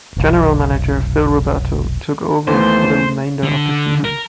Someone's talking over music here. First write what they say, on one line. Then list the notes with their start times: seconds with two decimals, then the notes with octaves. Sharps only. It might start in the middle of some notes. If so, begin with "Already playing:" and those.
General manager Phil Roberto took over for the remainder of the season.
0.17 F1 B1
2.47 D#2 E3 A3 B3 C5
3.43 D3
4.05 A#4